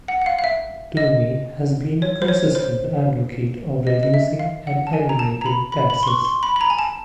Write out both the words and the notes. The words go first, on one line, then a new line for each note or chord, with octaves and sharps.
Toomey has been a consistent advocate of reducing and eliminating taxes.
F#5
F#5
F5
F5
E5
D#5
C#5
C5
C#5
C5
D#5
D#5
E5
F5
F#5
A5
G#5
A#5
A5
A#5
B5
B5
B5
C6
C#6
C6
B5
B5
A#5
G#5
A5